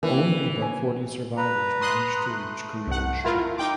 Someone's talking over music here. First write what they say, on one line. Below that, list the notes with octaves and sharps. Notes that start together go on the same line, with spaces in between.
Only about forty survivors managed to reach Korean shores.
D#3 E3 A#3 D4
A#3 C5 G#5
B4 A#5
C6 D#6 F#6
A3
C2 F#5
E4 F4 A#4
D#4 G5 D6